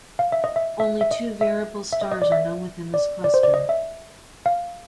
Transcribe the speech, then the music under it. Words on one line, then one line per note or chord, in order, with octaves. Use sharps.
Only two variable stars are known within this cluster.
F5
E5
D#5
E5
E5
E5
D#5
E5
E5
D#5
D#5
D5
E5
D5
D5
C5
D5
D#5
E5
F5